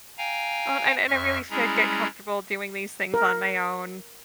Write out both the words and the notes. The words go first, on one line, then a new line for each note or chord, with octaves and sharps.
Uh, and and I really should get comfortable doing these things on my own.
F5 G5 G#5 A#5
F2 E5 C#6 F6
G3 G#3 C#4 E4 G#4 A#5
A#4